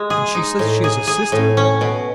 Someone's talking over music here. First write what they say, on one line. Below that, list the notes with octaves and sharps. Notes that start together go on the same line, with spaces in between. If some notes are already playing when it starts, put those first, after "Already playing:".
And she says she is a sister....
Already playing: G#3
G#4
D#4
A2
G#4
G#4
A2
C#4
B2